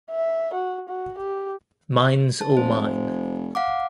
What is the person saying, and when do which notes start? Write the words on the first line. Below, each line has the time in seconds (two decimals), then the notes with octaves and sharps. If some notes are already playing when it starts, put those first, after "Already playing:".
Mine's all mine.
0.11 E5
0.53 F#4
0.89 F#4
1.18 G4
2.41 A5
2.57 F1 C5
3.55 F5 F#5 D6